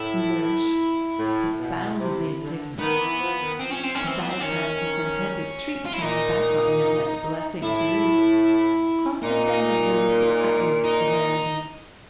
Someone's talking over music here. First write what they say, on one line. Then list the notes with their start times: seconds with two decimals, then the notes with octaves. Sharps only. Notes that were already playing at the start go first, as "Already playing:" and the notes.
Mellersh, profoundly indignant, besides having his intended treat coming back on him like a blessing to roost, cross-examined her with the utmost severity.
Already playing: A2 E4
1.19 A2
1.59 B2
1.99 C3
2.40 D3
2.79 D#3 B3
3.00 E3
3.19 F3
3.40 D#3
3.59 F3 C4
3.71 C#4
3.83 C4
3.95 D#3 C#4
4.00 E3
4.07 C4
4.19 B3
4.30 C4
4.40 D#3 C#4
5.85 F4
5.93 E4
6.01 A#2 D#4
7.62 A2 E4
9.23 A#2 D#4
10.84 D#4